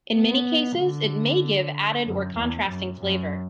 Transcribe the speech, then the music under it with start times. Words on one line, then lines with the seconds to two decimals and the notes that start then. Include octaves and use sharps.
In many cases, it may give added or contrasting flavor.
0.14 B3
0.78 D3
2.05 F#2
2.37 E2
2.69 F#2
3.00 F#2